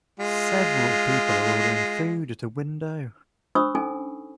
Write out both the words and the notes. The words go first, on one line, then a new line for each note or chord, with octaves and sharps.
Several people are ordering food at a window.
G#3 F4
D4 C5 B5 C#6 D#6 E6
C#4 D#4 A4 G#5